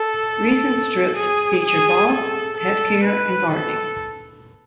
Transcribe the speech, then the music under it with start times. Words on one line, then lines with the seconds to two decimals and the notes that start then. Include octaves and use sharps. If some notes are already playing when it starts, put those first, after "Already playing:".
Recent strips feature golf, pet care and gardening.
Already playing: A4
1.16 G#4
1.63 G#4
2.10 A4
2.57 A4
3.03 B4
3.51 A4